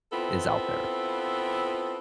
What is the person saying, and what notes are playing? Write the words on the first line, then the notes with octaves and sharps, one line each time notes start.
is out there.
B3 C4 E4 F4 A4